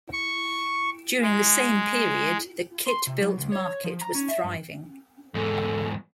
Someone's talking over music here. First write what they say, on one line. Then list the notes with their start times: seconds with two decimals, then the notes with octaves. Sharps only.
During the same period the kit-built market was thriving.
0.13 C#6
1.22 G#3
2.87 C6
3.07 C3
3.22 F#3
3.38 C#2
3.52 C#5
3.84 F3
4.01 A#5
4.15 C#4
4.29 E5
4.44 G2
5.34 E2 G#2 A4